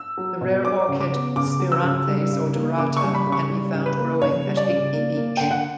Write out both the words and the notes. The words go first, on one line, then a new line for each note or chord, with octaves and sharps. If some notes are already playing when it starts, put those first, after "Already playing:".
The rare orchid Spiranthes odorata can be found growing at Higbee Beach.
Already playing: E6
F#3
B2
F#3 D6
C#3
D6
B3
C#3 D6
F#3
E6
C#3
G3
C#3
A#3
C#3 D6
C#6
G3
B5
C#3
C#6
G3
C#3
B4
A#3
C#3 C#5
G3
D5
C#3
A#3
A#3
D3 G5
F#5